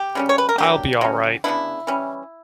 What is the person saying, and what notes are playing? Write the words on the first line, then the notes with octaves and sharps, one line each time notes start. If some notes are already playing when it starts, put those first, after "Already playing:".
I'll be alright.
Already playing: G4
C#3 G3 C#4
C#5
B4
A#4
F#3 A#3 D4 G4
F#3 C#4
C#3 F#3 B3 D4 E4
E3 G3 C#4